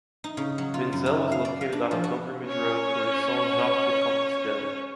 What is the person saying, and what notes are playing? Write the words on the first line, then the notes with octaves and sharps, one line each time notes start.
Vinzelle was located on a pilgrimage road towards Saint-Jacques-de-Compostelle.
D#4
C#3
F#3
F4
F#2
E4
F5
D5
F5
D4
F3
F#4
C#4 C#5